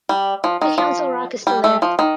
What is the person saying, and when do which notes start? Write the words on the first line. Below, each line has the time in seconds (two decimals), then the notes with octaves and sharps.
The Council Rock is still there.
0.09 G3
0.44 F3
0.61 D#3
0.78 F3
1.47 G3
1.64 A3
1.82 F3
1.99 D#3